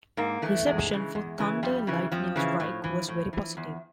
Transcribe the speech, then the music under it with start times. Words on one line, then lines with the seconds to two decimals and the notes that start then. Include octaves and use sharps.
Reception for "Thunder, Lightning, Strike" was very positive.
0.17 G#2 A#3
0.42 E3 A3
0.66 E2 G#3
0.91 C#3 E3
1.15 E2
1.39 C#3 E3
1.63 F2 G3
1.87 C#3 E3
2.12 F2 F3
2.36 C#3 E3
2.60 A2
2.84 E3
3.08 A2
3.33 E3
3.57 E2